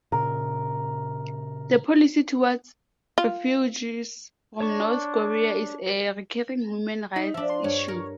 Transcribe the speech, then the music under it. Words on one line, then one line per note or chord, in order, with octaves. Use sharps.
The policy toward refugees from North Korea is a recurring human rights issue.
A#2 C#3 A#4
F4
D4 C#5 A5 C#6
D#4 B5
F3 D4 E5
C6
G2 C#5
A#4